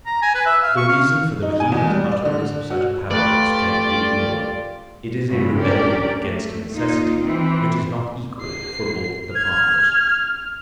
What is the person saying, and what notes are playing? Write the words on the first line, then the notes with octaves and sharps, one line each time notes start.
The reason for the vehement utterance of such a paradox cannot be ignored. It is a rebellion against a necessity, which is not equal for both the partners.
A#5
G#5
B4
E5
F5
C#6
F5
D#4
G#5
E2
G3
D5
D3
F#4
A3 F4 G4 B4 D5
G2 A#2 C#3 A3 B3
C#4 D4 G4 A#4 D5
A3
A#3 D#4 F4
E3 C4
C7
F6 G#6